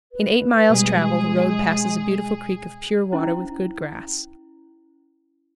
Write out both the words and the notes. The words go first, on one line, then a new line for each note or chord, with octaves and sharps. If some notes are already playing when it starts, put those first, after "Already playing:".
In eight miles' travel the road passes a beautiful creek of pure water, with good grass.
B4
B2 G3 G#3 D4 G#4
C#4 E4 C5